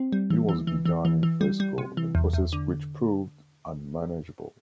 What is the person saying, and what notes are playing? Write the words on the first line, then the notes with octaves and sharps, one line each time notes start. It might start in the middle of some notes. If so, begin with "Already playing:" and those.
It was begun in fresco, a process which proved unmanageable.
Already playing: C4
G3
E3
E3
E3
E3
E3
E3
G3
G3
C3
E3
E2
E2
D3